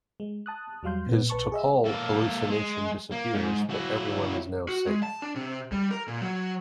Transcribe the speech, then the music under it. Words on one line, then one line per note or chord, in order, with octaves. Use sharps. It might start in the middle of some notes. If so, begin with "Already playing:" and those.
His T'Pol hallucination disappears, but everyone is now safe.
G#3
A5 D#6 F#6
E2 F#3 G3 F5 C6 G6
A#2 B3
B1 B4 A5 C#6
G#4 D#5 E5
A#3 A4
G#3
A#3
G#2
F#3 E4
F#4
G#3
A5
D4
C3
G3
A#4
A#2
F#3